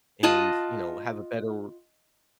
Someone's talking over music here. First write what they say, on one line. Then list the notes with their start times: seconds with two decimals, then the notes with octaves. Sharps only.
and, you know, have a better
0.23 F4 D#5 F#5 A5